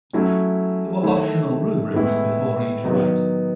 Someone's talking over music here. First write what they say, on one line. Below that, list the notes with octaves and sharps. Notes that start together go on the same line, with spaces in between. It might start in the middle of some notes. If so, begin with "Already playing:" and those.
There were optional rubrics before each rite.
F#3 A3 C#4 E4
D#3 A3 E4
A2 G#3 B3 E4
D#3 F#3 B3 D#4